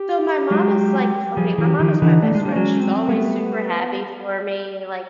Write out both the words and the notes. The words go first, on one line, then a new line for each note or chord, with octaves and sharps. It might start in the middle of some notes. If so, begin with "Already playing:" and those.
So, my mom is like Okay, my mom is my best friend, she's always super happy for me, like,
Already playing: G4
F#3 G#3
F3 G3 G#4
E3 F#3
G4
D#3 F3
D#4
D3 E3
A3 D4
G#3
G3
F#3 G#3 C#4
C4
G3 A3 B3